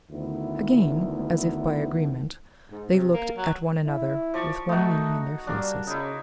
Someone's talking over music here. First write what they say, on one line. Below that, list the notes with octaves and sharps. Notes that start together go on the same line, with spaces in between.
Again, as if by agreement, they looked at one another with one meaning in their faces.
D2 D#3 B3 E4
G#2
C3
A#3
F#3
E4
F3 D5 C#6
A3 D#4 F#4
G3 A#3 D4
C#3 D#4 E4